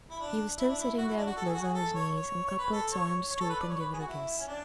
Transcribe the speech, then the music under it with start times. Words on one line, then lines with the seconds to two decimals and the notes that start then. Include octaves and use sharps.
He was still sitting there with Liz on his knees, and Cuthbert saw him stoop and give her a kiss.
0.10 E4
0.20 D4
0.58 E4
0.69 D4
0.78 E4
0.98 F#4
1.08 E4
1.17 D4
1.27 F#4
1.37 A4
1.45 G#4
1.53 F#4
1.62 G#4
1.75 A4
1.94 C#5
2.14 C#5
2.46 C#5
2.59 B4
2.72 A4
2.92 C#5
3.31 C#5
3.40 A4
3.49 B4
3.60 D5
3.69 C#5
3.79 B4
3.93 G#4
3.99 F#4
4.08 E4
4.39 C#4
4.47 D4